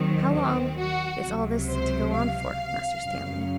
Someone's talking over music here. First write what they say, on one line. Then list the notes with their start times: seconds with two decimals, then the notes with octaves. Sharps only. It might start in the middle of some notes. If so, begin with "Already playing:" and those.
'How long is all this to go on for, Master Stanley?'
Already playing: D#2 D#3 F#3 C4
0.32 C4
0.78 F#4
1.22 C#2 C3 F#3
1.67 C5
2.12 F5
3.01 F#2 C#3 F#3